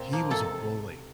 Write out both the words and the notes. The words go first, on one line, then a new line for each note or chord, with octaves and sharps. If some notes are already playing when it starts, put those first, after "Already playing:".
he was a bully.
Already playing: A#2 C4
F3 A#3 D#4
C3 A4